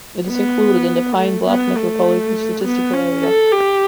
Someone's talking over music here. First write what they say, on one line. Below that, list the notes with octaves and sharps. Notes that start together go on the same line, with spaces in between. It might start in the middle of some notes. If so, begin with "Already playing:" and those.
It is included in the Pine Bluff Metropolitan Statistical Area.
B3
A3
B3
A3
B3
C#4
A4
G4